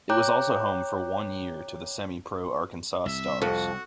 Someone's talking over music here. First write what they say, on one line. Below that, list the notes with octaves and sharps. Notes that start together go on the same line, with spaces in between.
It was also home for one year to the semi-pro Arkansas Stars.
C#5 G5 A#5 D6 F#6 G6
C2 E5
F2 F#4